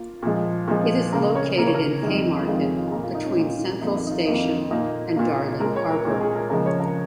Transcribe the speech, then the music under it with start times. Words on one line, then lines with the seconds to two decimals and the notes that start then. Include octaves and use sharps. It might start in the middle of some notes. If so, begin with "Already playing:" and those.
It is located in Haymarket, between Central Station and Darling Harbour.
Already playing: A#3 F4
0.23 A#2 F3 G#3
0.68 A#2 F3 G#3
1.12 C#3 A#3 A#4
1.35 C#5
1.57 C#3 A#3 A#4
1.66 C#5
1.74 A#4
2.03 F2 D#3 G#3
2.47 F2 D#3 G#3 F4
2.61 G#4
2.78 F4
2.87 G#4
2.92 A#2 A#3 A#4
3.03 F4
3.15 D#4
3.26 C#4
3.37 A#2 A#3
3.81 F2 D#3 A#3 D#4
3.96 D#4
4.07 D#4
4.11 F4
4.26 F2 D#3 A#3 D#4
4.71 A#2 A#3 D#4
5.16 A#2 A#3
5.60 A#2 G#3 A#4
5.76 C#5
5.90 A#4
6.05 A#2 G#3
6.21 G#4
6.35 A#4
6.50 C#3 F3 G#3 A#4
6.66 C#5
6.80 A#4